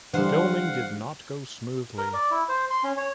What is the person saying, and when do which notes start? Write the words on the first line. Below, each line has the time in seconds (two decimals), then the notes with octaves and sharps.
Filming did not go smoothly.
0.14 D3 E3 G3 C5 F5 F#5
1.98 A#4
2.13 D5
2.31 E4
2.49 C5
2.71 C6
2.83 C#4
2.97 C#5